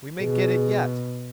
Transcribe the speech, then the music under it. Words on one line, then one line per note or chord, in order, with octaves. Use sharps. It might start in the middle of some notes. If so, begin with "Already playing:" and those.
"We may get it yet!"
B2 G#4